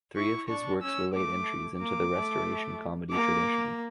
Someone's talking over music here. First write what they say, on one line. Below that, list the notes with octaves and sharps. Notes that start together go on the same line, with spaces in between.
Three of his works were late entries into the Restoration Comedy tradition.
E4 C#6
D4 C#6
C#4 E6
A3 D6
A#3 D6
A3
A#3 D6